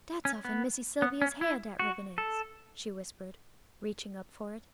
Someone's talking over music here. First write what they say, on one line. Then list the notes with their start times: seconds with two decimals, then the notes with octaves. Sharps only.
"Dat's off'n Missy Sylvia's hair, dat ribbon is," she whispered, reaching up for it.
0.25 C#4
0.45 B3
1.02 B3
1.22 C#4
1.41 E4
1.79 F#4
2.18 A4